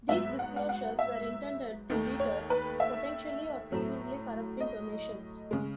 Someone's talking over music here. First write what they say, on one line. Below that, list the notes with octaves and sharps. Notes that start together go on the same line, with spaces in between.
These disclosures were intended to deter potentially or seemingly corrupting donations.
G#2 F#3 B3 E5
F#5
F#5
F#5
E5
D#2 D#3 A3
C#5
B4
E5
A2 F#3 A3
D#5
C#3 G#3